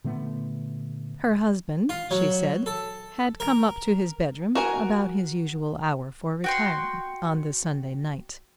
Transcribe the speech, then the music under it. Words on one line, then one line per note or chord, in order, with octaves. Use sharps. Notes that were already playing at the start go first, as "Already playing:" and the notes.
Her husband, she said, had come up to his bedroom about his usual hour for retiring on the Sunday night.
A#2 D3 A3 B3
F4
F#3
A4
A#4
F#4 A#4 G#5
F#4 G5 C6